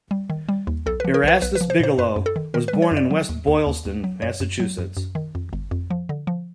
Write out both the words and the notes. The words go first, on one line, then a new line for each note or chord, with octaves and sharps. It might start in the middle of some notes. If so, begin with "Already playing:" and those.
Erastus Bigelow was born in West Boylston, Massachusetts.
G3
D#3
G3
D#2
B1 A4
F3 B4
A#4
B1 B4
B1 B4
B4
F3
C5
A#2 C5
F#2 B4
F#2
A4
D#3
D#3 A#4
B4
G3
C#5
F#2
D5
F#3
D#2
D#2
D#2
D#2
F#3
F#2 C#5
F#2
F#3
F#2
F#2
D#3
F2
G1
F2
F3
D3
F3